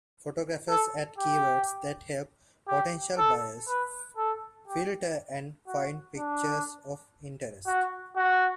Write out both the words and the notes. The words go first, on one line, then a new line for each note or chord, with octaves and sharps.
Photographers add keywords that help potential buyers filter and find pictures of interest.
A4
G4
G4
A4
B4
A4
G4
F#4
D4
F#4
F#4